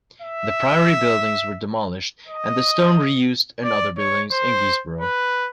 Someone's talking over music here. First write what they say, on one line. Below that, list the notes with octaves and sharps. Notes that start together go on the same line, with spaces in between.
The priory buildings were demolished and the stone re-used in other buildings in Guisborough.
E5
D#5
D5
C#5
C5
B4